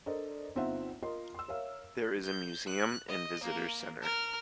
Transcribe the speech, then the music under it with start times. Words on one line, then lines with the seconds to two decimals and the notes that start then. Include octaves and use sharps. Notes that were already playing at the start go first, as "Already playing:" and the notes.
There is a museum and visitors' center.
0.06 D4 A4 A#4 C5 D5 D#5
0.56 G1 C4 D#4 F4 E5 F#5
1.02 F4 A#4 D#5 C6
1.35 C6 E6
1.48 A#4 C#5 E5 F5
2.25 G6
2.67 F#6
3.08 D#5
3.44 A#3
4.02 A#4 F6